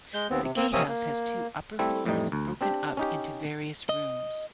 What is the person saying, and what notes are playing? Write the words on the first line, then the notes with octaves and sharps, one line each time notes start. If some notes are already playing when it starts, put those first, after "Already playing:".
The gatehouse has two upper floors, broken up into various rooms.
G#3 G6
D#2 B3 C4
C3
A#3 C4
C3 A#3 C4 C#4 D#6
A#3
G3 A3 C4 E4
F2 A2 E3 G3 D#4
D2
C4 D4 G4
C#4 D#4 G4
D#5